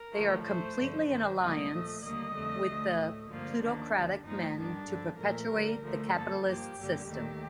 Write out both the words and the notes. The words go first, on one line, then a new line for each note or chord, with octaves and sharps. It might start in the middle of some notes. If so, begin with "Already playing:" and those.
They are completely in alliance with the plutocratic men to perpetuate the capitalist system.
Already playing: A#4
D2 D3 F3 A3
A2 A3 C5
G2 D3 F3 A3
G2 D#3 G3 C5
D2 C3 G3 A#3 D#5
A#2 F3 A3
D#2 D3 G3 A#3 D#5
F2 D3 A3
D2 D3 A3
A2 A3
G2 D3 F3 A#3 F4
D#2 D#3 A#3 D4
D#2 D3 G3
G2 F3 A3 D#4
G2 D#3 G3 D4
G2 D3 F3
A#2 F3 A3 A#4
D2 D3 G3
D2 D3 F3 A3
G2 F3 A#3 A4
G2 F3 A#3 G4
G2 D3 G3 A#3
D#2 D#3 A3 G4